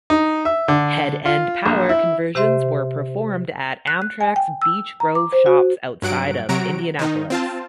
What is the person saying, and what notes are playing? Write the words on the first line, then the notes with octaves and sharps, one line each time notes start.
Head end power conversions were performed at Amtrak's Beech Grove Shops, outside of Indianapolis.
D#4
E5
D3
F4
A#1
E4
C3 G4 C5 E5 C6
F#6
F#6
G#5
G5
E6
A#5
D6
C5
F#4
G2 F#3 F#5 D7
C3 F#3 F#4 A#5 D7
D#3 D#4
C4 F4 A5